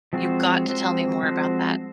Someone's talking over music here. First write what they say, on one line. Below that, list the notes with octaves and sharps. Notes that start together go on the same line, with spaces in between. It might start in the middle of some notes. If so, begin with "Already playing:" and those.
You've got to tell me more about that.
F3 G#3 C4 F#4 C5
F3 G#3 C4 F#4 C5
F3 G#3 C4 F#4 C5